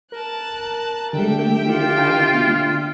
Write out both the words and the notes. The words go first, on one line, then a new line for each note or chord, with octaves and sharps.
People say I'm gay...
A#4 A5 F#6
D3 G4 E5 G5
F4